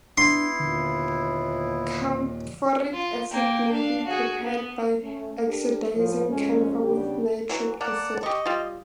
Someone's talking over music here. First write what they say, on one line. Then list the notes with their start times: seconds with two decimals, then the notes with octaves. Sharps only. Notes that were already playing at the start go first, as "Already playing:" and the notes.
Camphoric acid may be prepared by oxidising camphor with nitric acid.
0.18 B3 D4 E4 C6
0.60 D#2 A#2 D3
2.93 F4
3.31 A#3 G5
3.72 D4 F5
4.06 F#4 G#4
4.44 B3
5.02 A3 C#4
5.45 D4 G4 A4 A#4
5.95 A2 F3
6.29 F2 G#3 C#4
6.83 C#3 G3 B3 D4 G4
7.50 E3 F#3
7.81 A#3 D5 F#5 A5
8.23 G4 D#5 C#6
8.46 G3 F4